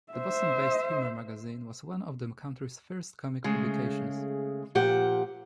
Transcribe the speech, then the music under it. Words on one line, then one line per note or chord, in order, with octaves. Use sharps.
The Boston-based humor magazine was one of the country's first comic publications.
C5 E5
C#3 G#3 A3
A#2 F3 G4 F#5